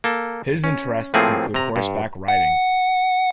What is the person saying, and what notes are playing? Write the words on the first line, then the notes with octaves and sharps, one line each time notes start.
His interests include horseback riding.
A#3 A4
C#4
A2 F3 A3 A#3 C4 G#4
C3 A#5
G2
F#5